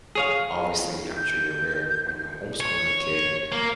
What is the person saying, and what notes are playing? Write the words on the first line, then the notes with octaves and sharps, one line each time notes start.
obviously, I'm sure you're aware, when you're homeschooling a kid,
G#4 C#5 F5
G6
C#5
A#3